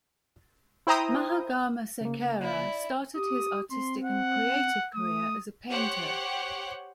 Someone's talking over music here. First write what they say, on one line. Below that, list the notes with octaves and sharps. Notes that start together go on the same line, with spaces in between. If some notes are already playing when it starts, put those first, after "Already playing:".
Mahagama Sekera started his artistic and creative career as a painter.
E4 C5 G5 A#5 D#6
C#3 A#3
E4 D5
G4 D#6
C4 C6
F#5
A3 D#6
G4 C5 C#5 F#5 G5